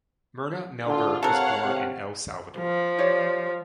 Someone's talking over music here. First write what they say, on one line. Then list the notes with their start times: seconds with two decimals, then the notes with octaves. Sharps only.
Myrna Melgar was born in El Salvador.
0.87 D3 F4
1.23 C3 A4 A#4 C#5 F5 F#5
1.64 C3
2.58 F3
2.98 G4 C#5 D5